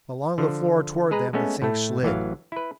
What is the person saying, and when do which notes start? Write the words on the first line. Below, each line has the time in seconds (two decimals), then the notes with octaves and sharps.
Along the floor toward them the thing slid.
0.38 D3 F3
1.11 G#3 G#4 B4 A#5
1.33 G#3 A3 B3 C#4
1.62 A2 A3
2.03 A1 E3 F#3 F5
2.52 E4 B4